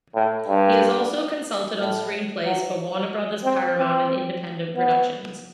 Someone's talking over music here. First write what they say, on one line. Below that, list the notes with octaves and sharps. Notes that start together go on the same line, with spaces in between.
He has also consulted on screenplays for Warner Brothers, Paramount, and independent productions.
A2
G2
A2
F#3
C4
C4
B3